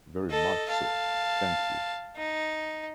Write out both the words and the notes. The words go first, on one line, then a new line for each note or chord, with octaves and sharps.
Very much so, thank you.
A4 D#5
F5 A5
D#4